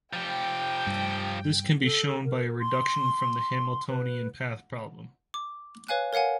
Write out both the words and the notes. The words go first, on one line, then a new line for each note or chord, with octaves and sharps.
This can be shown by a reduction from the Hamiltonian path problem.
F3 G4 G5
G2 G3
A4
A#4
C6
B4
D6
B4 C#5 F5 G#5 F#6
A#4 C#5 F5 F#5 G#5